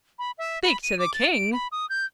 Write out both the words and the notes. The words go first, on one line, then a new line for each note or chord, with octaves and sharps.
'Speak to the King!...
B5
E5
B5
D#7
D6
A6
D7
B5
D#6
G6